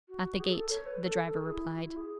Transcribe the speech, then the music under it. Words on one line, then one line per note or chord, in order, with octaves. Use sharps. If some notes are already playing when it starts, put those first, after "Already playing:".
'At the gate,' the driver replied.
F#4
G#4
A4
A4
C#5
B4
A4
A4
G#4
E4
E4
F#4
E4
G#4